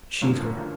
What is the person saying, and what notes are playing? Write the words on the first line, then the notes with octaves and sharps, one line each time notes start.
Cheat her.
G1 F#2 D3 F3 A#3
D3 F3 A#3